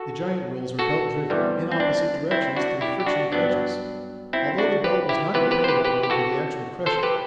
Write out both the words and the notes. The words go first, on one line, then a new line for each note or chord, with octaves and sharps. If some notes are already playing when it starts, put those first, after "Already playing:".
The giant rolls were belt-driven, in opposite directions, through friction clutches, although the belt was not depended upon for the actual crushing.
Already playing: F#4 A4
F#4 A4
E2 C3 E3 G3
C4
D4
C4 E4
D4 F#4
E4 G4
G4
D4 F#4
G2 F#3 B3 D4
C4 E4
D4 F#4
G4 B4
E4 G4
C3 E3 B3 G4 B4
G4 B4
C5
G4 B4
G4 B4
G4
F#4 A4
A4 C5
G4 B4